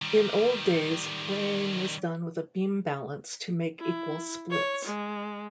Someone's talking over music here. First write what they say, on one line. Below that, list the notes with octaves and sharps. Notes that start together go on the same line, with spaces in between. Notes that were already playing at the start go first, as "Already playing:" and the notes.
In old days, weighing was done with a beam balance to make equal splits.
D#3 G3
E4
C#5
G#3